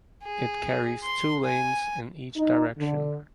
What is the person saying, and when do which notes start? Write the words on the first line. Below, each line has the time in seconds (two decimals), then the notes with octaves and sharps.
It carries two lanes in each direction.
0.24 G#4
1.04 C6
1.45 G#5
2.36 D#4
2.78 D3